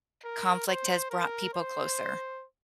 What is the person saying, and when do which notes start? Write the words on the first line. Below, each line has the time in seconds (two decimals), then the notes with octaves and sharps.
conflict has brought people closer?
0.25 A#4
0.68 C5
1.11 A#4
1.54 C5